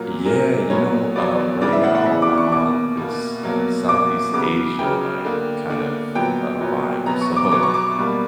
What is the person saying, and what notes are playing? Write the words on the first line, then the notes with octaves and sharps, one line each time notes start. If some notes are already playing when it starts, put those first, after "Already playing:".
Yeah. You know, uh, right now, I'm on this, uh, Southeast Asia, like, kind of, uh, vibe. So,
Already playing: A#2 F#3 A#3 A#4
A#2 F#3 A#3 A#4
B2 F#3 B3 C#5
B2 F#3 B3 D5
C#3 E3 B3 D5
E5
F#5
F#5
C#3 E3 B3 E5
D6
C#6
B2 A#3 D6
B2 A#3
B2 F#3 A#3
B2 F#3 A#3 D6
C#3 F#3 B3 D6
C#3 F#3 B3 G5
D3 A#3
D3 A#3
A#2 F#3 B3 G5
A#2 F#3 B3
B2 F#3 B3 A#5
C#6
D6
B2 F#3 B3 D6
C#6
D6
B2 G3 A#3